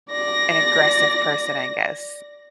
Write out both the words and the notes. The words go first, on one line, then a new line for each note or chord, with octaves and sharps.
an aggressive person, I guess.
D5 A#6